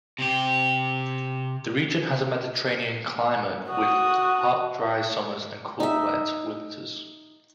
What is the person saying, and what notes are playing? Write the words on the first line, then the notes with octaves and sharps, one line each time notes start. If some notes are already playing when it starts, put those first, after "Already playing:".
The region has a Mediterranean climate with hot dry summers and cool wet winters.
C3 G4
F#4 D#6
D#4 E5